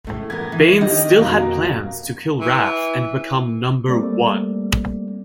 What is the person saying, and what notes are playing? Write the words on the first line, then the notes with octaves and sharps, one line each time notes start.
Bain still plans to kill Rath and become number one.
A2 C#3 A3
B3 G4 A#4 G#6
E3
D#3 G4 D#5
F2 B2 A#3 A#5
E3
G3 A3 A#3 C4 D5